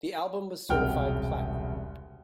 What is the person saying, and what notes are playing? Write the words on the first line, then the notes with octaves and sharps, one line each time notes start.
The album was certified platinum.
E1 C2 C#3 F#5 G5 F6